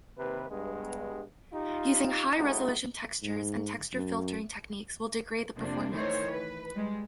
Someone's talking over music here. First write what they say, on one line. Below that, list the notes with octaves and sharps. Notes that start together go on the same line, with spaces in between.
Using high resolution textures and texture filtering techniques will degrade the performance.
D#2 C3 B4
G2 G#3 B3
D#4 F4 G4
G#3 A3 B3 D#4 F4 G4
G#2
F#2
F2 C3 A#3 D4
D#3 E3 A3 C5 C#5
B4
G3 G#3